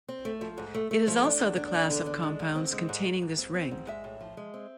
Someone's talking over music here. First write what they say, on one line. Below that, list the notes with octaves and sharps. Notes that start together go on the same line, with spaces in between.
It is also the class of compounds containing this ring.
C4
A3
F3
G#2
A3
A3
F3
D4
E2
D4
E2
D3
D4
G#3
D3
C4
G#3
G#2
G#2
G#2
C4
C4
G#2
G#3 E5
A2
F3
G#3
C4